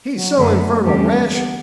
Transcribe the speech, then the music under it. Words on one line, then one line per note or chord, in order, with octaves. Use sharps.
He's so infernal rash.
F#3
F#2 D3 F#3 A3 B3
E2 D3 G3 C#4 G4
C#4
B3